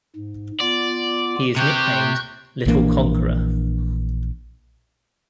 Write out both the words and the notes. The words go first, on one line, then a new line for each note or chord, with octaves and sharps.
He is nicknamed "Little Conqueror".
G#2
B3 F4 D5
C3 G4 C#6 F#6 G6
A#1 E3 A#3 D4